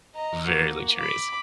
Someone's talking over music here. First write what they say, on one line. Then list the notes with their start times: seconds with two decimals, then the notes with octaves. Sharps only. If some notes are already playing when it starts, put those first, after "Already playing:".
Very luxurious.
0.15 D#5 A#5
0.47 A#3 F#4
0.96 B5 D6